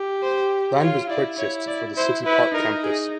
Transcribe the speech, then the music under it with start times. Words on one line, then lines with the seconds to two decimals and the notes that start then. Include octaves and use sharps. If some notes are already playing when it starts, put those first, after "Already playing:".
Land was purchased for the City Park Campus.
Already playing: G4
0.23 C5
0.80 F4 C#5
1.10 E4 D5
1.39 E4 C#5
1.67 D5
1.96 E4 C5
2.26 E4 B4
2.54 D#4 A#4
2.84 G#4